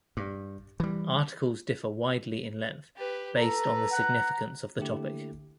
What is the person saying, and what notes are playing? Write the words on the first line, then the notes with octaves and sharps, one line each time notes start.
Articles differ widely in length based on the significance of the topic.
G2
E3 G3
G4 B4
A4 B4 A#5
F#5
D3 A3 A#3 E4 G4